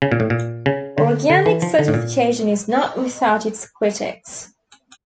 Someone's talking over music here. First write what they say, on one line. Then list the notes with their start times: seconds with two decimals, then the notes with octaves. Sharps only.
Organic certification is not without its critics.
0.02 C#3
0.11 A#2
0.20 A2
0.30 A#2
0.66 C#3
0.98 D3
1.30 D3
1.46 E3
1.62 F3
1.79 D3
1.88 A2
1.94 A#2